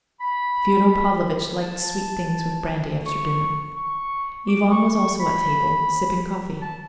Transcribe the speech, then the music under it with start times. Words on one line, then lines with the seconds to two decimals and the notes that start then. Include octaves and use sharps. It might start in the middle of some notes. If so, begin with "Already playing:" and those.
Fyodor Pavlovitch liked sweet things with brandy after dinner. Ivan was also at table, sipping coffee.
0.20 B5
1.63 A5
3.06 C#6
3.77 C#6
4.48 D6
4.71 C#6
4.96 C#6
5.20 B5
6.62 A5